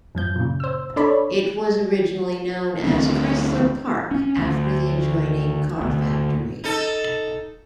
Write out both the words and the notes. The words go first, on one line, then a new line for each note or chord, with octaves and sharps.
It was originally known as Chrysler Park after the adjoining car factory.
F#2 F3 G6
A#2 C#3
C5 E6
D4 A4 C#5 D5 B5
D2 F3 C4 D4
C#4
D2
D2
D#4 A4